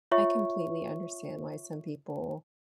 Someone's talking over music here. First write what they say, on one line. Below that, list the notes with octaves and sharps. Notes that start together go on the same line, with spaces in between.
I completely understand why some people,
F4 C#5 E5 C#6